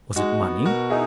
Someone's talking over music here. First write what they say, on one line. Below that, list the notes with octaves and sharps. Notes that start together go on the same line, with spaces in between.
Was it money?
G#3 D#4 F#4
B3
B2 F#4 A#4
D#4 E4 G#4